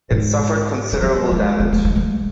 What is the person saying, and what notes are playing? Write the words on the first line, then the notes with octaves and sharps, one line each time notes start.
It suffered considerable damage.
G#2
G#3
F#3
G#3
B3
A3
G#3
A3